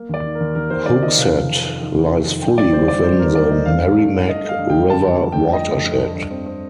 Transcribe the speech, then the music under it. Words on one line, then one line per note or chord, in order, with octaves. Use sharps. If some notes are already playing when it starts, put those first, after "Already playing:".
Hooksett lies fully within the Merrimack River watershed.
Already playing: A#3
D#2 D5
D#3
A#4
D#2
D#2 A#4
D#2 C5
D#2 D5
D#3 D#5
C3 F5
F2
D#3
D#3
D#3
F2
F2
D#3
G2 G5
G1 D5
G1 C5
G1 D5
G2 C5
D3 A#4
A3 D5
A3 D#5
G2 F5
G2
A3
A3
A3 D#5
A3 F5
G2
G5
G2
D3 A5
F2
F2
A3 G5
F2 D#5
A3
F2
A3
G2
C4
C4